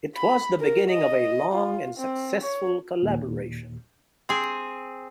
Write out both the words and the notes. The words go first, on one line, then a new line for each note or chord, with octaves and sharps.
It was the beginning of a long and successful collaboration.
B5
A#4
D#5
F4
C4
C#5
D#2 A#2
C4 G#4